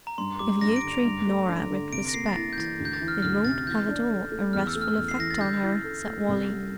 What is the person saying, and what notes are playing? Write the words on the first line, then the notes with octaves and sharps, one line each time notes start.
"If you treat Norah with respect it won't have at all a restful effect on her," said Wally.
A#5
G2 C6
G3 D6
G2 A#6
D7
D3
F7
G2
A3
D4
D3
C3 D7
A#6
A#3 C7
A6
E4 A#6
G6
E3 A6
D2
G6
A6
E3
F6
D2 F6
C3 A6
E3 G6
D4
A4
A3
E2 F6
E6
A3
F6
E2
C7
E3 A#6
A6
D3 G6
E4
A4
A3
C2
G3